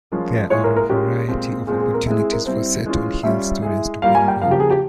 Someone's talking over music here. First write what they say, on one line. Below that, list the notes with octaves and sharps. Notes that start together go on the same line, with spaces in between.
There are a variety of opportunities for Seton Hill students to be involved.
F3 G#3 C#4 F4 A#4
A#2 G#3 E4 G#4 C#5
A#4
A#4
G#3 C#4 F4 G4 A#4
A#2 G#3 C4
A#2 G#3 C4 G#4
G#4
A#4
G#3 C4 E4 G#4
G#4
A#4
G3 C4 E4 C5
E3 G#3 C#4 F4
G3 C#4 F4 E5
G#3 E4 G#4
G3 A#3 F4 F5
G#5
G5
C#3 F3 A#3 F5
G4
G#4
G4